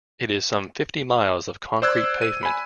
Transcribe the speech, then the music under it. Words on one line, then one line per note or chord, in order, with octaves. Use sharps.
It is some fifty miles of concrete pavement.
C5 D5 E6 F#6 G#6
D#7
G#5 B5